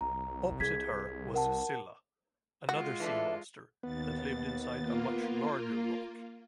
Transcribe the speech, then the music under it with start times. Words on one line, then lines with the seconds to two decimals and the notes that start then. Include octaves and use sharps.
Opposite her was Scylla, another sea monster, that lived inside a much larger rock.
0.01 C2 A#5
0.60 G#4 G#6 B6
1.34 A#4 F#5 A5
2.69 G#3 F4 F#4
3.00 E3 A3 D4
3.83 D#2 B3 A6
4.79 A#3 F4